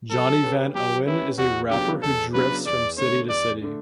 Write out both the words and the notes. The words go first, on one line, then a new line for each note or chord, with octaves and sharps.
Johnny Van Owen is a rapper who drifts from city to city.
F#3 A4
C#4 G4 B4
F#3 G4
C#4 E4 G4 B4
E2 F#4
C#3 F#3 B3 D4 G4
E2 A4
C#3 F#3 B3 D4 B4
E2 D5
D3 A3 D4 C#5
E2 D5
D3 A3 D4